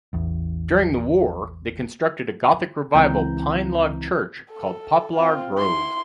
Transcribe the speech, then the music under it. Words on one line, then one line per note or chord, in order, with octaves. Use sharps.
During the war they constructed a Gothic Revival pine-log church called Poplar Grove.
A1 E2
C#2 E3 C4 E4 A#5 G6
A4
C4 F4
E4 C6